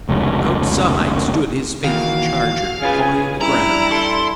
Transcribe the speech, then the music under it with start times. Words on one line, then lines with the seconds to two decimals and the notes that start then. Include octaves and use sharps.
Outside stood his faithful charger, pawing the ground.
0.09 F1 C#2
1.84 D#3 E3 A#3 F#4 F5
2.82 C#4 F4 G#4 B4 G#5
3.41 G3 D4 E4 A#5
3.92 A4 C6